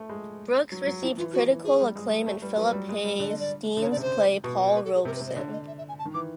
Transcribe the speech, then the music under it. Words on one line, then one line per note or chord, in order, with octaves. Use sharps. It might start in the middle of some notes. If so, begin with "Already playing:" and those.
Brooks received critical acclaim in Phillip Hayes Dean's play "Paul Robeson".
Already playing: A3
G#3
F#3
F#3
F3 E4
E3 F4
F3 F#4
E3
F3 G#4
G3
G#3
A3 A4
G3 B4
F#3 B4
G3
G#3
G3
D3 D5
D#5
D5
D3
C#3 C#5
D5
C3
C5
B2
B4
A4
G#4
C3 A#4
B4
C3
C5
D3 C#5
D#5
E5
E5
G#5
A5
D#3
E3 D6